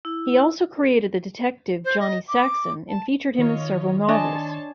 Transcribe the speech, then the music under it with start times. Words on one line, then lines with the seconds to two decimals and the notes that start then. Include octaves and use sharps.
He also created the detective Johnny Saxon, and featured him in several novels.
0.05 E4
1.85 C5
2.00 D#5
2.28 D6
2.89 A5
3.39 D#3 F4 C#5 D#5
4.09 D4 C#5 D#5 G#5 A5 C6